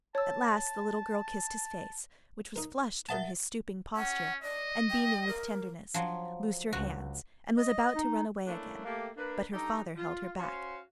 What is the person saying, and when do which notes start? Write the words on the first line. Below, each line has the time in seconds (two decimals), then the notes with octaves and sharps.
At last the little girl kissed his face, which was flushed from his stooping posture and beaming with tenderness, loosed her hands, and was about to run away again; but her father held her back.
0.15 C#5 A5 E6
2.56 D#4 A#4
3.09 A#4 D#5 E5 F#5 A5 A6
3.97 C#4 F#5
4.43 D5 D#5
4.91 G5
5.28 A#4
5.94 F3 F#3
6.73 C#2 F#4
7.57 D#5
7.95 D#4
8.46 A3 A#3 C#4 D4 E4
8.85 A3 A#3 G4
9.16 A#3 D4 B4
9.53 G2 D#4 G4 A4 A#5
9.96 F4
10.38 C#4 F#4 C5 C#5 F5